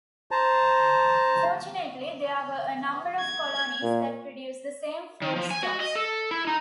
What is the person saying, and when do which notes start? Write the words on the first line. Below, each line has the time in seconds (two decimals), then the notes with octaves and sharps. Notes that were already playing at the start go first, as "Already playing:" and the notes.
Unfortunately, there were a number of colonies that produced the same foodstuffs.
0.31 C5 A5 A#5
3.19 G#6
3.82 A#2
5.22 D#3
5.36 F3
5.51 G#5
5.63 F#4
5.80 D#5
5.95 A4
6.31 E4
6.47 D#4